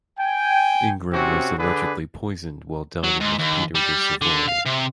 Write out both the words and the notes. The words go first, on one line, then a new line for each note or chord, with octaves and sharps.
Ingram was allegedly poisoned while dining with Peter de Savoy.
G5 G#5
C3 C4 C#4 F#4
D3 D4 G#4 B4
F#3
G#2
D#2
G3
D3
F5
C3